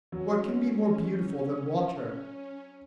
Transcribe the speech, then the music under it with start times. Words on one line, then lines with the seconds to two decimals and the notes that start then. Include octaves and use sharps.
What can be more beautiful than water?
0.12 F#3 C#4